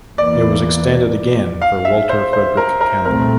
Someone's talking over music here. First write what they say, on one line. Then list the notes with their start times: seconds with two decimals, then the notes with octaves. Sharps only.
It was extended again for Walter Frederick Campbell.
0.18 E2 E3 A#3 D5
1.62 F5
1.85 E5
2.09 C5
2.33 C5
2.57 A#4
2.81 A#4
3.05 C2 A#2 A3 C4 A#4